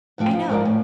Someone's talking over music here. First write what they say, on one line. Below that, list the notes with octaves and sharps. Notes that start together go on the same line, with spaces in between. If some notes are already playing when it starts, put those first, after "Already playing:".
I know.
E2 A2 F3 G5
F3
G#2 F3 A#4 D5
A2 G#5